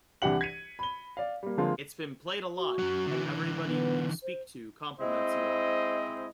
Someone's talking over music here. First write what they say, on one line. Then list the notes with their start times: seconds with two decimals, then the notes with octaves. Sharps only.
It's been played a lot, and everybody you speak to compliments you on it.
0.22 C2 E3 D4 G4 F#5 F#7
0.41 G#6 B6 C#7 D#7
0.79 B5 G7
1.17 D5 F5
1.43 G3 A#3
1.58 D3 F3 G#3 A#3 C4 F4
2.57 F#4
2.79 F#2 F#3
3.07 D3 E3
3.52 D4
3.66 B3
4.23 C5
5.00 G#3 C4 E4 C5 D#5